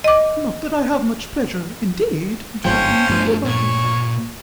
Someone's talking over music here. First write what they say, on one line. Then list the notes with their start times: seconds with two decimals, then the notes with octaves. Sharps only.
Not that I have much pleasure, indeed, in talking to anybody.
0.04 D#5 D6
2.65 G1 G#2 F3 C#4 C5 C#5 F5 G5
3.10 G2 F3 A3 B3
3.45 A#2 C#5